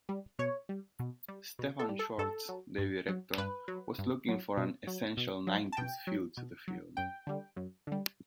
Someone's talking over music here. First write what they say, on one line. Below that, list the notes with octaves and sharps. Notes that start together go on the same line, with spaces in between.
Stefan Schwartz, the director, was looking for an essential nineties feel to the film.
G3
B2 C#5
G3
B2
G3
B2
A4
G3
A4
G2 A4
F#3
G2
F#3
G2 B4
F#3
G2
F#3
B2
F#3
B2
F#3
A5
B2 G5
F#3
B2
F#3
F#2 G5
D3 G3
F#2
D3 G3